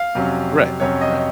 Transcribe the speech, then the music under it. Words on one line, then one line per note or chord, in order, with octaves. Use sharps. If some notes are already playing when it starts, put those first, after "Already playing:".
Right, right.
Already playing: F5
F2 C3 F#3 C#4
F2 C3 F#3 C#4 C#5
D#5